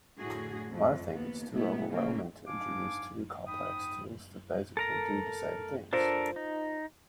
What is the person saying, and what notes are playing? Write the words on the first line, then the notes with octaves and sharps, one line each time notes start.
I think it’s too overwhelming to introduce two complex tools that basically do the same things.
A2 D3 F#4 G#4
F2
D#2 B3
A#2 A3 B3 E4
A#2 C#3 A#3
G#2 D4 F5 G#5 D6
G#2 G5 B5 D#6
A4 A#4 A#5
D4 F4 A4 A#4 C5
D#4